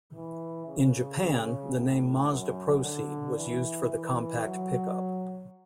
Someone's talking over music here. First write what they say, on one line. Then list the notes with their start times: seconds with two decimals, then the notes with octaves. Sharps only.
In Japan, the name Mazda Proceed was used for the compact pickup.
0.13 E3
0.66 C#3
1.20 C#3
1.74 A2
2.28 F#2
2.83 D3
3.37 E3
3.91 E3
4.45 F#3